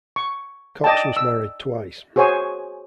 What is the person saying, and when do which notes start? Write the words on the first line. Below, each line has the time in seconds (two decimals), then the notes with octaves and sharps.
Cox was married twice.
0.16 C#6
0.84 D5 D#5 G5 A5
1.17 E6
2.16 F#4 G#4 C5 C#5 G#5